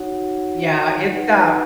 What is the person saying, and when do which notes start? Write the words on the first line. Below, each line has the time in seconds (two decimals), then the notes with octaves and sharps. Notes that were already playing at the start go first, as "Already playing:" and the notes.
Yeah, it's, uh
Already playing: D#4 F#4 C#5 F#5
1.13 D#4 B4 F#5